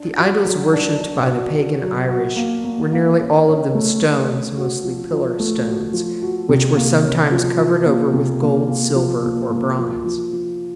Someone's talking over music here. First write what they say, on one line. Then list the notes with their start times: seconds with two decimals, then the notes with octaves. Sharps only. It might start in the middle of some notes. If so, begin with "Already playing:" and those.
The idols worshipped by the pagan Irish were nearly all of them stones, mostly pillar-stones, which were sometimes covered over with gold, silver, or bronze.
Already playing: D4
0.18 F#4
0.45 F#3
0.73 D4
1.00 D4
1.27 F#4
1.55 F#4
1.82 F#3
2.09 F#4
2.37 A#3
2.65 A#3
2.93 A#3
3.20 C#4
3.48 C#4
3.75 A3
4.02 A3
4.29 C#4
4.57 F#4
4.84 F3
5.12 F3
5.40 A3
5.67 F#4
5.94 F3
6.22 F#4
6.49 C3
6.76 A#3
7.03 C#4
7.32 F3
7.58 F3
7.86 A#3
8.13 C3
8.42 A#3
8.69 A#3
8.96 F3
9.23 A#3
9.51 A#3
9.79 F3
10.05 F3
10.33 F3